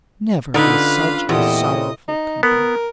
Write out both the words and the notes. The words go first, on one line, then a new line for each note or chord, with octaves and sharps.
Never was such a sorrowful company.
D3 C#4 D#4 F4 B4 F5
E2 A#2 F3 C4 E4 G4 A4 D#5
D#4
B3 A#4